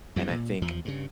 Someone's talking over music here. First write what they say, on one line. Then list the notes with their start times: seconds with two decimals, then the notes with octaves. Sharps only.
and I think
0.16 F#2 E3 F#3 G3
0.31 A#2
0.62 E2 F3
0.85 G2 C#3